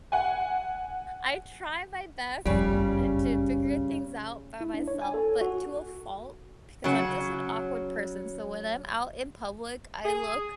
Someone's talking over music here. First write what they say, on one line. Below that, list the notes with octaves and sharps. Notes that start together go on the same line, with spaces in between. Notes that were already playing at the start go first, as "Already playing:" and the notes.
I try my best n eh, to figure things out by myself, but to a fault, because I'm just an awkward person, so when I'm out in public, I look
F#5 G#5
F#1 B1 F2 C#3 G3
E4
D4
C#5
G#5
A4
F#4
C#3 F#3
G#4